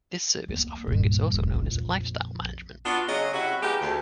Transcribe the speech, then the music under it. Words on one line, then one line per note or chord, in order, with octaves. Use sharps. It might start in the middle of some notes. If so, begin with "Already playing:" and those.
This service offering is also known as lifestyle management.
A#3 B3
G2 A#2
E1 A2
A#1 F2
B3 D4 F4 F#4
C#3 F#3 G#3 C#5 D#5
C3 E4 F#4
G#3 A#3 B3 G4
D2